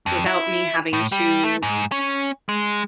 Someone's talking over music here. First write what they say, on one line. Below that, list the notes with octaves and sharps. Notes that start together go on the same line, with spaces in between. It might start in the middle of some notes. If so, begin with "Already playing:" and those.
without me having to,
F2
E4
A2
G3
A3
G#2
C#4
G#3